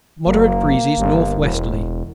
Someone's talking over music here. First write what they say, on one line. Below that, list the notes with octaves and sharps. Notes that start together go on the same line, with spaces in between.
Moderate breezes north-westerly.
F#1 A#3
G1
E1